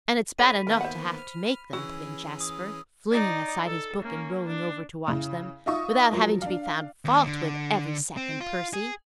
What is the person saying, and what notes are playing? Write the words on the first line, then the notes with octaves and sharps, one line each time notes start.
"And it's bad enough to have to make them," put in Jasper, flinging aside his book and rolling over to watch them, "without having to be found fault with every second, Percy."
D#3 A4 C#5 B5 B6 D#7
D#3 A#3 B3 A#4 F5
C5 E5 F#5
F6
E3 C#4 F#4 G#4 E6
D#6
D#4 D5
A4
A#3 C#4
D4
C#3 E4
D#4 F4 E5 C#6 D#6
F3 F#3 A#4
D4 F5
D#2
D3
C4
F4
G#4